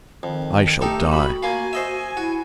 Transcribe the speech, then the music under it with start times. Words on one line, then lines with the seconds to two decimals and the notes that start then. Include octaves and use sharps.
I shall die!
0.23 F2 D#3
0.81 A3 D#4 G4 A4
1.11 F#4 B5
1.43 A#3 F4 G#5
1.73 C5 D#5 E5
2.17 E4 F#4